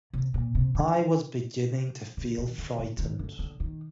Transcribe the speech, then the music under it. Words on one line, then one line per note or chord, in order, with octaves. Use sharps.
I was beginning to feel frightened.
C3
A#2
C3
D3
D3
D#3
D3
D3
D#3
D3
D3
D#3